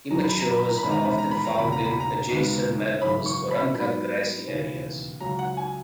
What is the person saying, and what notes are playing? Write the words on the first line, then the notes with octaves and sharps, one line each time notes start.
Immatures are often found in adjacent meadows or uncut grassy areas.
F#2 D#3 F#3 A#5
B5
A#5
B5
A#5
B5
E1 E2 D#3 G#3 C#4
A#5
B5
A#5
B5
A#5
E1 E2 C#3 B5
A#5
B5
A#5
D#2 C#3 G#3 B3
G#1 F#2 C#3 E3 B5
C#6
B5
G#2 F#3 B3 B5
E1 D#2 C#3 E3
C#2 C#3 F#3 A#5
F#5
G#5